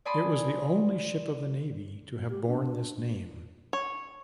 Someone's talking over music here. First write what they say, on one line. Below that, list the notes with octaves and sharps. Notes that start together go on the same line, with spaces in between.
It was the only ship of the Navy to have borne this name.
D5 G#5 A5 B5 C6 D#6
G4
D4
C#5